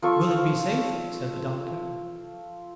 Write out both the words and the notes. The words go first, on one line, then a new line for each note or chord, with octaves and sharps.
"Will it be safe?" said the doctor.
F3 A4 C#6